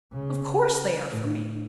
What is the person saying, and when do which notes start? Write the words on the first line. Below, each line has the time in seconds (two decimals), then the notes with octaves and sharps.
Of course they are for me.'
0.13 C#3
1.11 A2